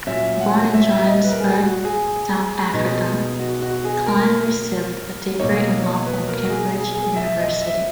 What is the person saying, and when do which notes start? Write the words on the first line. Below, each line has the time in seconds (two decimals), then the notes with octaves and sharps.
Born in Johannesburg, South Africa, Klein received a degree in law from Cambridge University.
0.07 A#2 F#3 C#4 E5
0.40 F#5
0.74 E5
0.90 E5
1.07 D#5
1.24 B4
1.32 A#4
1.40 G#4
1.62 F#4
1.85 G#4
2.73 B2 G#3 B3 D#4
3.39 F#4
3.62 F#4
3.84 G#4
4.06 A#4
5.39 B2 F#3 A#3 D#4 C#5
5.83 C#5
6.06 B4
6.28 A#4
6.45 F#4
6.50 G#4
6.73 G#4
6.95 G#4
7.16 E5
7.39 D#5
7.62 E5